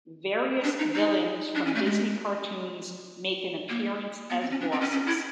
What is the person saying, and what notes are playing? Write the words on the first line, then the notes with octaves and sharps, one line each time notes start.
Various villains from Disney cartoons make an appearance as bosses.
D4
D#4
D#4
D4
C#4
A3
G#3
A#3
B3
C4
C#4
D4
C4
C#4
C#4
E4